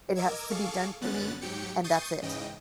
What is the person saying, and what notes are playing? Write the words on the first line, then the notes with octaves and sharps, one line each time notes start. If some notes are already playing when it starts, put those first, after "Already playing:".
it has to be done for me, and that's it."
A#4 D#5 D6 E6 G#6
G#4 A4 F5 C#6 D6
F#2 D3 B3 C#4 F#6 A6
G#2 F#3 G4 G5 C#7
C#6 D#6 G6 A6 C7 D#7
G#2 C#3 E3 D#5 G5